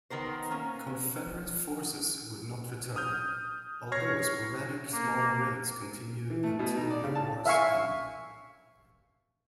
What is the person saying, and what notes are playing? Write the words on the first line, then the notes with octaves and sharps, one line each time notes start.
Confederate forces would not return, although sporadic small raids continued until the war's end.
D#3 B3 A#4 C5
A#3 C#4
D#6 F6 G6
C#5 C#6 F6 G#6 A#6 C7
A#3
E3
A3
B2
D#4
D5
C#3
A5
E5 F5 G#5 C#6